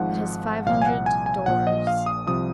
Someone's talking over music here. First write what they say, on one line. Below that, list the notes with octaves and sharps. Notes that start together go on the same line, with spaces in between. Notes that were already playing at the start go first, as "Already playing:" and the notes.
It has five hundred doors.
Already playing: G#1 G#2 F3 F#5
C2 A#2 F3 F5
G#5
F#5
G#5
G#5
A#1 A#2 F3 F#5
D#5
F5
D#6
C2 C3 F3 D#6